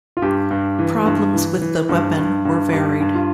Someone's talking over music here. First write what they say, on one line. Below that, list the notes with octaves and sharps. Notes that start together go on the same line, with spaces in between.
Problems with the weapon were varied.
F4
G2 G4
G2
E3
G2
E3
E3
G2
G2
G2
G2 G4
G2
F4